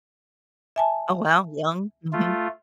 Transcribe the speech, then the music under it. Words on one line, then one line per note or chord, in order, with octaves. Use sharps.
Oh, wow. Young. Mhm.
E5 G#5 A5
A3 F4